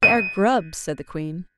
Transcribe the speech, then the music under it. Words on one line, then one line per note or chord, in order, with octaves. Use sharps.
"They are Grubs," said the Queen.
D#7